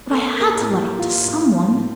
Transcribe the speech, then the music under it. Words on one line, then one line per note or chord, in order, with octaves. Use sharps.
But I had to let off to some one.
A#3 A4
A#3
A#4
A2
G4
A#3
E3 F4
A2
A#3
A2